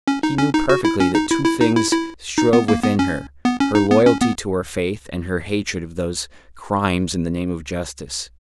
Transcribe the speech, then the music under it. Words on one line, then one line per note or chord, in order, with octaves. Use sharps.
He knew perfectly that two things strove within her, her loyalty to her faith and her hatred of those crimes in the name of justice.
C#4
D#4
C#4
D#4
F#4
E4
C#4
D#4
E4
E4
D#4
E4
E4
D#4
B3
A#3
B3
C#4
B3
C#4
D#4
B3
C#4
B3